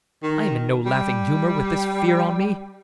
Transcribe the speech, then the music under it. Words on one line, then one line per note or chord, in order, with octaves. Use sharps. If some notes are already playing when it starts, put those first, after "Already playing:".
I am in no laughing humor with this fear on me.
D#3
G3